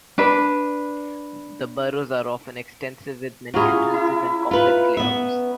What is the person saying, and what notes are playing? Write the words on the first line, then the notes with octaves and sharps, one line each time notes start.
The burrows are often extensive with many entrances and complex layouts.
D4 B4
F#3 C#4 E4 F4 G#4
E4
F4 B4
B3 E5